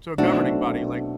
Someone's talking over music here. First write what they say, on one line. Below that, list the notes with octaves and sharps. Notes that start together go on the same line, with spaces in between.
So, a governing body, like
B1 B2 A3 C4 D4 E4 F#4